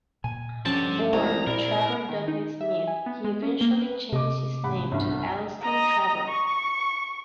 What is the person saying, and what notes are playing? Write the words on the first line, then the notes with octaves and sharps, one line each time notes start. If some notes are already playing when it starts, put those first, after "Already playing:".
Born Trevor Dudley-Smith, he eventually changed his name to Elleston Trevor.
A#2 G#5
G2 D3 F3 C4 C#4 G4 A5
C2 G#3 A3 C4 A#5
A#2 E4 A#4 D5
D#3
D#4
E5
E5
G#5
B3
G#3
C#4
A#3
B4
C3 D#5 D6
A1 F#5 B5
G1 C2 G2
D#5 A#5
C#6